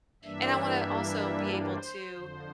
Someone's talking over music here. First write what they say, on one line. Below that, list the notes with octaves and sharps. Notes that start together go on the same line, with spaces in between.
and I wanna also be able to,
G2 E3 G3 A#3 D4 E5
C5
F2 D3 F3